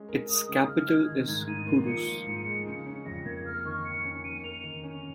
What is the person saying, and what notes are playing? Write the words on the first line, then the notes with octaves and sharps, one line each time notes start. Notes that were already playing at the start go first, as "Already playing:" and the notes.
Its capital is Kudus.
Already playing: G#3 C#4
A#4
G#3 D#6
C#3
C#3 F6
D#4 G#6
D#3
G#2 G#6
G#2 D#7
A#3
F3 C#7
F4
G#2
G#3
C#3
C#4
F2 A#6
A#3 G#6
A#3 F6
D#3 C#6
D#3 C#7
C#4
C#7
A#3 D#7
A#4 F7
D#3
C#4